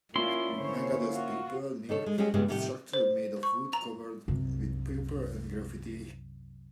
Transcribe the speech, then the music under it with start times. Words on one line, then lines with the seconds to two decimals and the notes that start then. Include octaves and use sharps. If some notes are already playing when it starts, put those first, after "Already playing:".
Man gathers paper near a structure made of wood covered with paper and graffiti.
0.16 A#3 C#4 E4 F4 D5 C6
0.56 D3 A#3 C5 C#5
1.10 F4 F#4
1.89 D#3 D4 A4 C#5
2.06 G#3
2.18 G3 G#3 C#4 F#4 G#4
2.34 G2 A#2 C#3 G3 G#3 B3
2.48 A2 C3 D#3 G3 G4 F#5
2.93 C5
3.43 C#6
3.73 A#5
4.28 C2 F#2